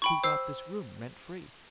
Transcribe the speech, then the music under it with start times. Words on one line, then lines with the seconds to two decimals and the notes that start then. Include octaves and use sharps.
Who got this room rent free?
0.02 G5 B5 C#6
0.23 C5 E6 C7